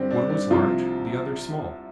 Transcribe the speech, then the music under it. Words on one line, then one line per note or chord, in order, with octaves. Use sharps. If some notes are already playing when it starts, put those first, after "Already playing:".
One was large, the other small.
Already playing: G2 D3 G3 C4 G4
D4
D4
C2 C3 F3 F4